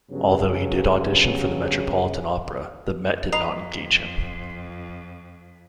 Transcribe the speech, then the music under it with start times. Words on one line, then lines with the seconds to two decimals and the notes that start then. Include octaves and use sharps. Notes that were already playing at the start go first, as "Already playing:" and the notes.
Although he did audition for the Metropolitan Opera, the Met did not engage him.
0.11 G2 C#3 F#3 B3
3.33 F2 B4 D#5 A#5 C7 F7